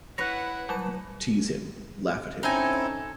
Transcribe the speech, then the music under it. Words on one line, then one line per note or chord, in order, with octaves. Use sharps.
Tease him — laugh at him.
E4 B4 C#5 F#5 F#6 A#6
F#3 G3 E7
C4 C#4 D#4 E4 A4 G#5